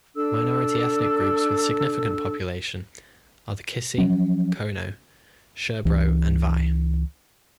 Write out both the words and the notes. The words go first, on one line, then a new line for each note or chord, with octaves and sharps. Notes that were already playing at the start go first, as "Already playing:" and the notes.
Minority ethnic groups with significant population are the Kissi, Kono, Sherbro and Vai.
D4 A4 E6
F3 F#3 C#4
C#2 E3